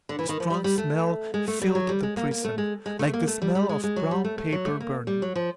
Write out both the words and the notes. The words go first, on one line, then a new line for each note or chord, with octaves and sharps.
A strong smell filled the prison, like the smell of brown paper burning.
D3
E3
D#3
F3
G3
G3
A3
G#3
A3
G3
F#3
G3
G#3
A#3
A#3
A3
G#3
G#3
A3
A#3
A3
G3
G3
G#3
G#3
F#3
G3
A3
A3
F#3
A3
A#3
G3
F#3
F3